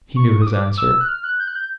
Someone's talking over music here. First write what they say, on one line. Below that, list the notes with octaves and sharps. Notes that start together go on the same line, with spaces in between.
He knew his answer.
C#6
D#6
D6
E6
F#6
F6
F#6
G6
F#6
G6